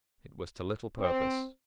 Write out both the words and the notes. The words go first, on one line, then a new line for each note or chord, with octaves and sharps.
It was to little purpose.
C4